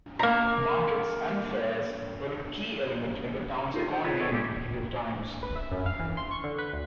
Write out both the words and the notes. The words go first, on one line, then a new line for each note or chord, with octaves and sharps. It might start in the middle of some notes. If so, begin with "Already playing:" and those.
Markets and fairs were a key element in the town's economy in medieval times.
A#3 A#5
D#4 F4
C5
E4 F4 G#4 B4 C#5
G#4 A4 C#5 D5
A#2 G#3 A3 F#4 G4
B4
E5
F#2
F5
E3
C6
C#6
D3
B4
D2